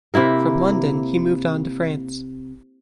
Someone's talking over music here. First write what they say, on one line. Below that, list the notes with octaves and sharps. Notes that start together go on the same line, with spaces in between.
From London he moved on to France.
C3 A#3 E4 A#4